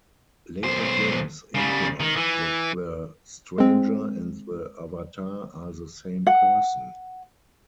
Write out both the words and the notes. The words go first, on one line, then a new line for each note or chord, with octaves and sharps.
Later games imply that the Stranger and the Avatar are the same person.
B1 C5
C#3 G3
D#3
E3
G#3 C4
F#5